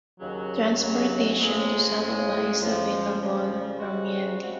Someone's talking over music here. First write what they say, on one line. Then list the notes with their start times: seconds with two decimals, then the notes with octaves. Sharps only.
Transportation to Saboba is available from Yendi.
0.17 D#2 C#3 F#3
0.78 D#2 C#3 F#3
1.38 F2 C#3 G#3
1.98 F2 C#3 G#3
2.59 F2 C#3 F3
3.19 F2 C#3 F3
3.78 C#3 G#3 C4 F#4
4.39 C#3 G#3 C4 F#4